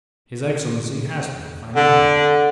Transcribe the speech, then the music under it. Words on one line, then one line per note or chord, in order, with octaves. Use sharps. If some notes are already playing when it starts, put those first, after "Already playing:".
His excellency asked me if I knew them.
D3